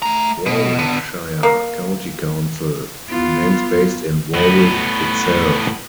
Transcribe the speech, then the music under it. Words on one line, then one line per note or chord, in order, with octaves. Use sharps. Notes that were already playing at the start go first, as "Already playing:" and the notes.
Warwickshire County Council remains based in Warwick itself.
A3 A#5
B2
D3 B3
A#3
B3 F4
A2 B3